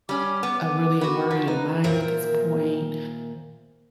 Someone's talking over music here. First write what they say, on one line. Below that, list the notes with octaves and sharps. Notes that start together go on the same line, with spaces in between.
a really a worry of mine at this point."
G3 C#4 D6
B3
B3 F#4
F3 A#4
D#4 B4
A#2 D#3 A#4 C5 E5